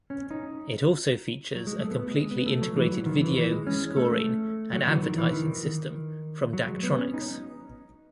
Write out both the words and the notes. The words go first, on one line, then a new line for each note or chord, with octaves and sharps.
It also features a completely integrated video, scoring and advertising system from Daktronics.
C#4
D#4
F#3
G#3
A3
B3
G#3
B3
A3
F#3
E3
F#3
D#3
E3
E3
G#3
C#4
A3
F#3
E3
D#3
E3
D#3
F#3
G#3
B3
C#4
D#4